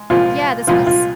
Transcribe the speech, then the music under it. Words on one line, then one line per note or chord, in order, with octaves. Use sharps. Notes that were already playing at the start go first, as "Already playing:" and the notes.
Yeah, this was
Already playing: G#3
C2 A#2 F3 G#3 C4 F4
C2 A#2 F3 G#3 C4 F4
F4